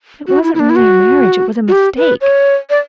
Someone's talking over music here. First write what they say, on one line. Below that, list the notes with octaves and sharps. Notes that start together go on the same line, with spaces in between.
It wasn't really a marriage; it was a mistake.
F#4
E4
E4
D4
E4
F#4
F#4
G4
B4
C#5
D5